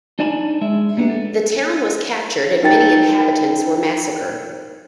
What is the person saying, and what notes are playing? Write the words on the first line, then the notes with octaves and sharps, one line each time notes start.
The town was captured and many inhabitants were massacred.
D4 D#4 D5 G#5 A5 B5
G#3 E5
G3 A#3 B3 D4
A4
D#4 A#4 G5 A6